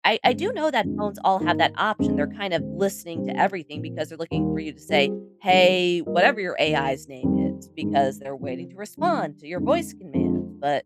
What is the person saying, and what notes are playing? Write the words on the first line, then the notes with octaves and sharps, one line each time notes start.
I I do know that phones all have that option, they're kind of listening to everything because they're looking for you to say, "Hey, whatever your AI's name is," because they're waiting to respond to your voice command, but
G2 D3 G#3 C4
F2 D3 F3 G#3
G#2 D#3 A#3 D#4 A#4
F2 D3 G#3
D2 D3 G#3 C4
C3 G3 D4 G4 C5
A#2 F3 C4
D#2 D#3 G3 A#3
G3 C4 F4 G#4
D#3 G3 A#3 D4 G#4
G3 A#3 F4 A#4 D#5
D#2 D#3 A#3
F2 D#3 G3 C4
G2 D#3 G#3 D#4
C3 F3 C4
D#3 G3 D4
F2 D3 G#3 D#4
F2 D3 F3 G#3